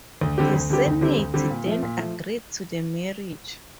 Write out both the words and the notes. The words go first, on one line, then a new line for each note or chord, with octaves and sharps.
The Senate then agreed to the marriage.
D2
D3 G3 C4 G4
D2
D3 G3 C4 G4
D2
D3 G3 C4 G4
D2
D3 G3 C4 G4
A#2
F3 A3
A#2
F3 A3